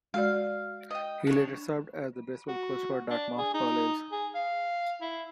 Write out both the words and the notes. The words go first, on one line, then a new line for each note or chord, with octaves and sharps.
He later served as the baseball coach for Dartmouth College.
G#3 F#4 D5 F5
D#5 G5
D4 C#5
F#4
D4
G#4
D#4
G#4
F5
E4